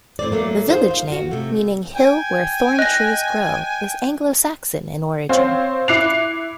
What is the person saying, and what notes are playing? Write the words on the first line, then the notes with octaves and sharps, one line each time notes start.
The village name, meaning "hill where thorn trees grow", is Anglo Saxon in origin.
A2 C4 D5
F#3 A3 A#3
D#4 F4 G#4 C5
F5
F4 F#4
C3 A3
G5 G#5
D#5 F#6 A#6
C4 C5 C#5 F5
E4 D6 F#6 C7 C#7 F7